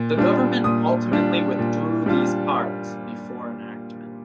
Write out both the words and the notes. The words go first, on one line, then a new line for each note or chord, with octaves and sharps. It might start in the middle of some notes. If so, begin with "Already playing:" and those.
The government ultimately withdrew these parts before enactment.
Already playing: A#2
G3 D4 F4
A#2 D#6
G3 D4 F4
A#2
G3 D4 F4